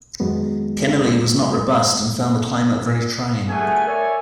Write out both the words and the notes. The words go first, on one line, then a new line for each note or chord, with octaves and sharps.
Kennerley was not robust and found the climate very trying.
F2 D#3 F#3 G#3 B3
G1 A3 G#4 F#5 G#5
A#4 C#5 D5 E5 G#5